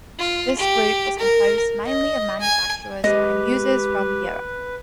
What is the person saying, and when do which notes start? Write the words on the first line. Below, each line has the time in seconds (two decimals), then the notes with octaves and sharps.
This group was composed mainly of manufacturers and users from Europe.
0.18 F4
0.58 G4
1.19 A#4
1.86 D#5
2.40 G#5
3.04 G#3 G4 B4 D#5